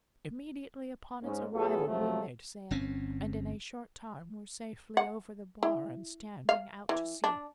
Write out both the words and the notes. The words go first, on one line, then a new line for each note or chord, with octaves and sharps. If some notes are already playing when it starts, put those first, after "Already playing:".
Immediately upon its arrival we made sail, and in a short time were safely over the bar and standing out to sea.
G#2 C#4
A2 F#3 B3 F4 G#4 A4
F#2 C3 F3 F#3 A3
G1 C4 C#4
F#5
E4
F5
E3
D4